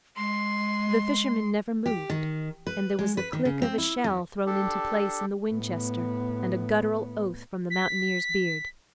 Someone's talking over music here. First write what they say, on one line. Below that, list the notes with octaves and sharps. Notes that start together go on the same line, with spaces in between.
The fisherman never moved and there was the click of a shell thrown into place in the Winchester and a guttural oath from the mountaineer's beard.
G#3 C6
G4
D#3
B4
G#3
B4
D#3
C#3
C4
E4
E2
D4 G4 A4
A2 B3
B6